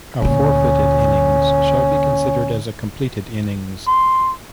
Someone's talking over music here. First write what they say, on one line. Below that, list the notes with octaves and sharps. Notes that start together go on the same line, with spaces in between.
A forfeited innings shall be considered as a completed innings.
D2 A#2 C#4
C6